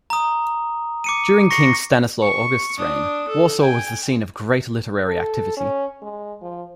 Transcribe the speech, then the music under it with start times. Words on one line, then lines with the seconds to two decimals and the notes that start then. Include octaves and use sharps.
During King Stanislaw August's reign, Warsaw was the scene of great literary activity.
0.10 A#5 D#6
1.04 D6 C#7 D#7
1.50 C#6 A#6 C7 C#7
2.22 C#6
2.77 D4 D#6
3.28 A4
3.60 G5 G#5
5.08 A4
5.57 C#4
6.02 G#3
6.42 F3